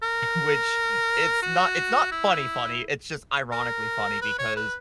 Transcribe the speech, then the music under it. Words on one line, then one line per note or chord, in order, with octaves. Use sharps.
which it's not it's not funny funny, it's just ironically funny, because
A#4
F#4
E4
A#4
B4
C#5
B4